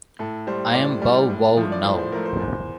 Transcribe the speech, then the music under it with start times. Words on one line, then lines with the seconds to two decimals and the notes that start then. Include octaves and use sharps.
I'm Bow Wow now.
0.19 A2 A4
0.47 G3 C5
0.74 A2 D5
1.02 G3
1.30 A2
1.57 F3 A3
1.72 D5
1.84 A2 C5
1.98 C5
2.12 F3 A3 A#4
2.25 C5
2.39 E2